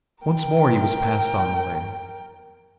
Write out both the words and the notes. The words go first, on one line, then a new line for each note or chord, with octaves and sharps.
Once more he was passed on the way.
A#4 G5